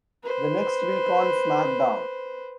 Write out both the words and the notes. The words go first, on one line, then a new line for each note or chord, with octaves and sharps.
The next week on SmackDown!
B4 C5